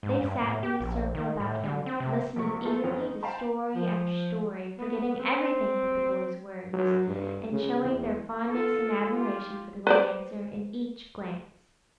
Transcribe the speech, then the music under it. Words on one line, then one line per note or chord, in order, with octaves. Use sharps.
They sat in a circle about him, listening eagerly to story after story, forgetting everything but the boy's words, and showing their fondness and admiration for the romancer in each glance.
G#2
G2
A2
G4
A#1
D#3
A2
D3
C4
C3
A#1 C3 A#3 C#6
A3 F4 A4
F2 E3 F3 B3 C#4
D#4
C5 F5 G5 A5 B5
F3
B3
C4
F#3
G2
C#3
E2
F4 A4
F4 G4
B4 C5 D5